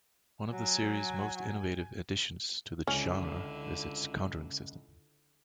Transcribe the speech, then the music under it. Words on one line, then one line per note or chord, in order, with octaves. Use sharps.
One of the series' most innovative additions to the genre is its countering system.
F#3 G#5
C#2 D3 C#4 E4